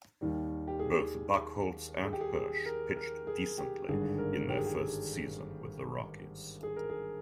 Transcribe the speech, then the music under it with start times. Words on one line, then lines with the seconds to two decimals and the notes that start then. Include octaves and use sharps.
Both Buchholz and Hirsh pitched decently in their first season with the Rockies.
0.21 D#2 D#3 G3
0.68 G4
0.79 G#4
0.91 G4
2.04 G#4
2.13 G4
2.21 G#4
2.35 G#4
2.66 A#4
2.96 A#4
3.27 G#4
3.58 G4
3.88 G#1 G2 D3 G#4
4.18 A#4
4.50 G4
4.57 G#4
4.66 G4
6.63 G#4
6.76 A#4
6.89 G#4